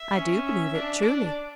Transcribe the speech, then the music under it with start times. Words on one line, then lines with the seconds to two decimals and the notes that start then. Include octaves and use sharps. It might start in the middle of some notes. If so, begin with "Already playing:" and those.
"I do believe it, truly."
Already playing: E5
0.16 C#4
0.45 E5
0.74 D4
1.01 D4 D5